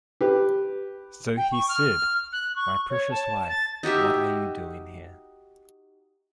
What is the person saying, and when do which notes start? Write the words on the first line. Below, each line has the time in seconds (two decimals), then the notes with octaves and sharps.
So he said, "My precious wife, what are you doing here?"
0.21 G4 B4
1.37 G5
1.52 C#6
1.69 F6
2.32 F#6
2.56 C#6
2.90 C#5
3.11 A5
3.49 A6
3.83 D#4 F#4 G4 E5